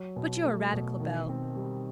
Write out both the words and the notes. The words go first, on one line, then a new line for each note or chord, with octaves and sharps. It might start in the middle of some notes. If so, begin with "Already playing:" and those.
But you're a radical, Bell.
Already playing: F#3
B2
A3
B2
D#3
C4
G3